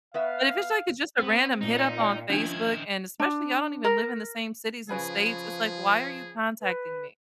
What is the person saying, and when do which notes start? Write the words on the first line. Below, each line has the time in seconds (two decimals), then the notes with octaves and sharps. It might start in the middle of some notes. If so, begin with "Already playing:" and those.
But if it's like, it's just a random hit up on Facebook, and especially y'all don't even live in the same cities and states, it's like, why are you contacting me?
0.14 B3 B4 E5 F5
1.19 B3 C4
1.61 A#2 D#4
2.00 D5 G5
2.30 D#3 F3 C#4 D4 E4 G6 G#6
3.20 D4
3.84 A#4
4.89 C#3 F3 G#4 B4 G#5
6.61 B4